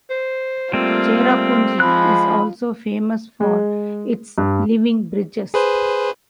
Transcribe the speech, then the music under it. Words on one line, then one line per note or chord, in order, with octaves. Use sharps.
Cherrapunji is also famous for its living bridges.
C5
G3 A3 A#3 C4 F4
F3 G#3 B5 F#6
G#3
G2
G#4 B4 C5